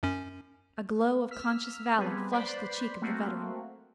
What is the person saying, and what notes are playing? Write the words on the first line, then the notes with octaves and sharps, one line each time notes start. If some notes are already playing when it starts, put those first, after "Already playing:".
A glow of conscious valor flushed the cheek of the veteran.
F#2 C#4
E6 F6 B6
G3 B3 C4 G#4 B4
B4 C5 D5 B5
A3 A#3 C4 F#4